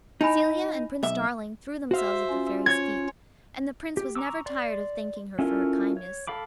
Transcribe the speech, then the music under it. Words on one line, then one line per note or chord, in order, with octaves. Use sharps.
Celia and Prince Darling threw themselves at the Fairy's feet, and the Prince was never tired of thanking her for her kindness.
D#4 E4 G#5 B5
B1 E5
F#4 C5 E5 F5
C#4 F4
C#5 G#6
G4
A#5 C#6 D6 E6
D5 C6
C#4 E4 F4 A4 A#4
C#5
A4 F5 B5 D6